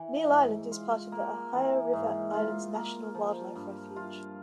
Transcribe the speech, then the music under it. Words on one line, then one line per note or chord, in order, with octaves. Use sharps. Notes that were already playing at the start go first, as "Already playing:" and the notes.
Neal Island is a part of the Ohio River Islands National Wildlife Refuge.
Already playing: E3
G#2
F4
A#3
E3
G#2
F4
A#3
F3
G2
F4